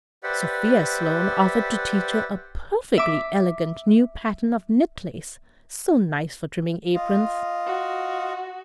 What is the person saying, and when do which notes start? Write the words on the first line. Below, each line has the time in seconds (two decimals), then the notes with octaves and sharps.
Sophia Sloane offered to teach her a perfectly elegant new pattern of knit lace, so nice for trimming aprons.
0.23 G4 B4 C5 D5 E5 F#5
2.98 E5 D6
6.95 F4 D#5 F5
7.66 F#4